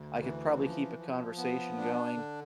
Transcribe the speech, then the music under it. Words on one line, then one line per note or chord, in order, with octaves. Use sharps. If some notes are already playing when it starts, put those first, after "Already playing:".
I could probably keep a conversation going,
Already playing: D2
E3
F3
F3
B3
D4
D3